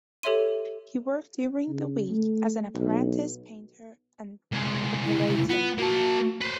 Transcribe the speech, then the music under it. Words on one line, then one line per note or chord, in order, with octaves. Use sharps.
He worked during the week as an apprentice painter and decorator.
G4 A4 C#5 E5 C6 D#7
C#3
A3
B1
C2 G#3
E4
B3 F4
A#3 F#4 A5
B4 C5